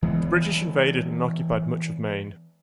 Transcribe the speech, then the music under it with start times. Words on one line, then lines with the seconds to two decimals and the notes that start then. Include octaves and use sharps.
The British invaded and occupied much of Maine.
0.02 E3 G#3 B3